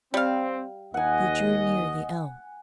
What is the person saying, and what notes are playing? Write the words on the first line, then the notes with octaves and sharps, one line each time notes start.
They drew near the elm.
G3 C4 F5
D#2 D#5 F#5 G#5